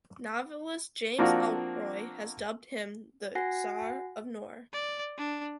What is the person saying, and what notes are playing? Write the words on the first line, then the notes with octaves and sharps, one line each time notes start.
Novelist James Ellroy has dubbed him "The Czar of Noir".
F3 A#3 C4 D4 F4 F#4
F#4 F#5 G#5 A#6 C7
D5
D4